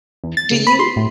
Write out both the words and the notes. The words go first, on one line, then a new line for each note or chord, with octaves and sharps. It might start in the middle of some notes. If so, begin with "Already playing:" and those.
Do you
E2
A6
C#3
B5
C6
A2